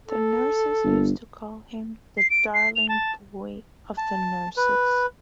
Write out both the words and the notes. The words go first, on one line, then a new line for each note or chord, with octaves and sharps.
The nurses used to call him ""The darling boy of the Nurses"".
A4
G1
C7
D7
C7
F7
A5
A5
B4